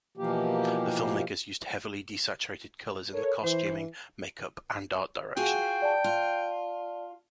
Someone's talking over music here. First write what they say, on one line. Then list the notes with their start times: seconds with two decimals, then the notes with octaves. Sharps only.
The filmmakers used heavily desaturated colors in the costuming, makeup, and art direction.
0.17 B2 E3 F3 A#3 G4
3.13 A4 A#4 C#5
3.43 E3 C5
5.37 F4 F#4 G#4 G5
5.82 D5 A5
6.04 F4